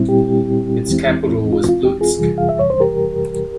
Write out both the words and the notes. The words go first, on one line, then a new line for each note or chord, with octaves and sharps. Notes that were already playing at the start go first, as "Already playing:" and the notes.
Its capital was Lutsk.
Already playing: A#2 G3 C4 E4
G4
E2 E3 G#3 C4 E4
F4
F4
G4
F4 G#4
F2 C3 E3 G3
F5
E5
C#5
C5
G4 A#4